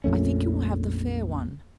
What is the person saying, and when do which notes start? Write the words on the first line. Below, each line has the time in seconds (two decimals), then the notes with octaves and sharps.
I think you will have the fair one.
0.04 A#1 F2 A3 C#4